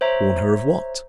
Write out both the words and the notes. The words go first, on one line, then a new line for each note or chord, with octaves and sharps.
Warn her of what?
C5 C#5 E5 A#5